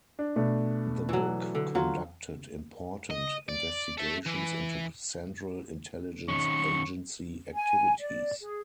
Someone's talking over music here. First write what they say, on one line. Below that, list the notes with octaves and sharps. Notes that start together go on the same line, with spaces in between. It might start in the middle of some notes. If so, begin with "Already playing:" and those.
The book conducted important investigations into Central Intelligence Agency activities.
D4
B2 A3 D4
E3 F#3
D3
F#3 F4
D#5
D5
A4 E5
E3
D#3 C#4 C#6
G#5
D5
G#4